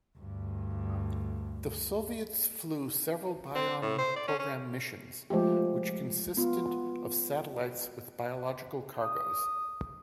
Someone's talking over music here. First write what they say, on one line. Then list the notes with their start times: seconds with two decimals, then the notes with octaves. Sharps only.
The Soviets flew several Bion program missions which consisted of satellites with biological cargoes.
0.18 D2 G2
3.55 C4
3.82 A2
3.98 C5
4.16 D5
4.28 C#4
4.39 C#4
5.30 F3 G#3 A3 G4
6.37 B3 F4
9.01 D#6